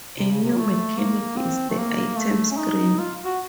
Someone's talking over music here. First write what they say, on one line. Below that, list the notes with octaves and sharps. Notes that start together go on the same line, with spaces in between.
A new mechanic is the item screen.
C3
C#3
C3
F#3
A3
A#3
C4
A3
A#3
A3
C#4
D#4
F4
F#4